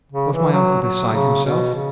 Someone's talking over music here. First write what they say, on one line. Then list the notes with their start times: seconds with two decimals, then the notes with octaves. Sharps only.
Was my uncle beside himself?
0.12 C#3
0.33 E3
0.52 F#3
0.82 F#3
1.13 C#3
1.45 B2
1.75 C#3